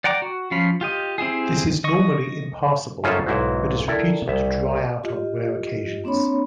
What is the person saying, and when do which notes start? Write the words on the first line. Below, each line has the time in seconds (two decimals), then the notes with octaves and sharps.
This is normally impassable but is reputed to dry out on rare occasions.
0.04 D5 F#5 G5 A#5 D6
0.22 F#4
0.51 F3 C#4 F5 B5
0.81 F4 G4 D#5
1.18 C4 E4 G4 G#4
1.84 D#5 C#6
3.04 F#2 C#3 C#4 F4 A4 C5
3.26 B1 G#2 E4 F#4 C5
3.88 E4 A4 A#4 D5 E5 G5
4.28 C2 E5
5.04 F4 G4 D#5
6.04 A#3 C4 D4 C#5 B5